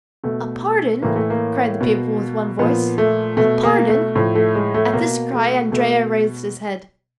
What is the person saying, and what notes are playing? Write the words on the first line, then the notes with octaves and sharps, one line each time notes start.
"A pardon!" cried the people with one voice--"a pardon!" At this cry Andrea raised his head.
B2 A3
A2 E3 A#3
A3
A#3
B2
A#2 F3 B3
A3
B2 A3
A#3
A3
A2 F3
A3
G#3
A3
B2 A#3
A3
B2 A3